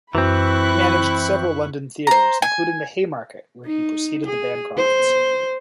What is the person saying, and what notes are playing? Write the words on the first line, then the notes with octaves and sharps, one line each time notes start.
He managed several London theatres, including the Haymarket, where he preceded the Bancrofts.
F#2 E3 C4 E4 B5 C#6 F#6
C5 A#5
G#5
D#4
G#4
C5